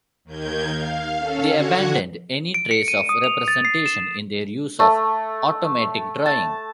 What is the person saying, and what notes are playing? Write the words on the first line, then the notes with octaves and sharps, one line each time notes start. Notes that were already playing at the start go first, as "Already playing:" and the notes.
They abandoned any trace of representation in their use of automatic drawing.
D#2 D#3 G6 G#6
F5
C#4 A4 F5
D3 F#4 F#5 F#6 G#6
D7
C#7
D#7
D#6
F7
A6
C7
E7
A3
A5